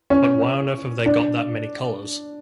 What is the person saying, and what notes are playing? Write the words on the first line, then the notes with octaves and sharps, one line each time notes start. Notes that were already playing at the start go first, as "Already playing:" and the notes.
But why on earth have they got that many colours?
C#4
D4